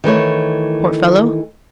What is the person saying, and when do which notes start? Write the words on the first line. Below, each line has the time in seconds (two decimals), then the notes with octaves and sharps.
Poor fellow!
0.04 D#3 E3 A3 C#5